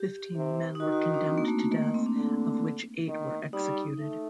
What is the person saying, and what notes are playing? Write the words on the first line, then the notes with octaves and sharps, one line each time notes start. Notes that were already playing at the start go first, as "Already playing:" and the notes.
Fifteen men were condemned to death of which eight were executed.
Already playing: G4
C3
D#4
D#3 F#4
F#4
F#4
D4
C4
A#3
A3
A3
D#3 A#3
A3
C4
D4
D3
D#3
G3 D#4
A3